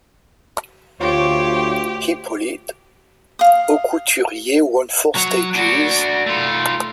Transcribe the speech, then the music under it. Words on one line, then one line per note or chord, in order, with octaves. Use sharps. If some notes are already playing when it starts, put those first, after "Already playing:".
Hippolyte Aucouturier won four stages.
D2 F4 G4 C5 C#5
F5 D#6
F#3
D4 F#4
A3 F4